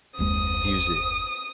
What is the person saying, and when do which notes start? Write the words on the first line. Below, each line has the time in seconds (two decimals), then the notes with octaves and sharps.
use it.
0.19 F#1 D#2 G#3 D#6